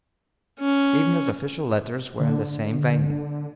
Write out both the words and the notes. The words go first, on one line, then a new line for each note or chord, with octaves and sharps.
Even his official letters were in the same vein.
C#4
D3